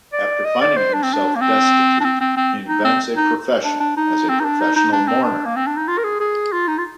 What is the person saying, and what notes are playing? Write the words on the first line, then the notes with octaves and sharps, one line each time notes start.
After finding himself destitute, he invents a profession as a Professional Mourner.
D5
D#5
D5
C5
D4
C4
D4
A#3
C4
D4
C4
C4
C4
D#4
C4
D#4
D4
D4
D#4
C4
D#4
D4
D#4
D#4
D4
C4
D4
A#3
C4
D4
D#4
F4
A#4
G#4
G#4
F4
D#4
F4